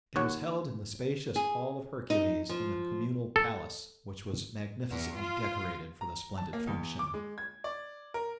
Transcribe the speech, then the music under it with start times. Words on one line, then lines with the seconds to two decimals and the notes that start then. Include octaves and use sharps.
It was held in the spacious Hall of Hercules in the Communal Palace, which was magnificently decorated for the splendid function.
0.16 D#2 C#5 F#5
1.36 G#4
2.10 D#4
2.49 F3
3.36 A4
4.91 E2
5.20 F4
6.01 A#5
6.38 A5
6.53 A#3
6.67 E2
6.99 D6
7.14 G#3
7.38 G#6
7.64 D5
8.14 A#4